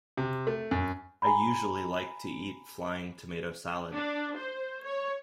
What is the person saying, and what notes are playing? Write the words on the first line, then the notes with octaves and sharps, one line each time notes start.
I usually like to eat flying tomato salad.
C3
A3
F#2
G#5 A#5 B5
D4
C5
C#5